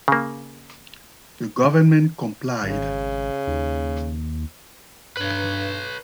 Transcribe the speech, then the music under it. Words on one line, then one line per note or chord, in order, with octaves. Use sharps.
The government complied.
C#3 A#3
G#1 C#3
D#2
G2 B4 C#5